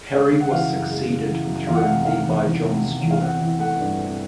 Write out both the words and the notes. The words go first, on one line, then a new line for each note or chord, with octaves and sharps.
Parry was succeeded through the by John Stewart.
G#3 F5
C#3
F#5
E3 F5
F#2
G#3
C#3
E3
F#2
E2 F5
F#5
C3 F5
D#3 F5
E2
E2
C3
D#3
E2
F5
C4 F#5
E3
A3 F#5
G2
C4